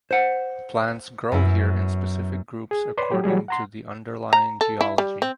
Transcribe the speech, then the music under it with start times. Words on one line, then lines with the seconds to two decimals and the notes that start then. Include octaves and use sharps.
Plants grow here in specific groups according to the underlying geology.
0.11 C5 F#5
1.32 F#2 B3 E4
2.71 G#4
2.98 B4 C#5 D5 B5 C6
3.11 F#3 G4
3.24 E3 F#3 G3 G#4
3.48 F#5 A#5 C6
4.33 A#5
4.61 A4
4.81 E4
4.98 G3
5.22 C4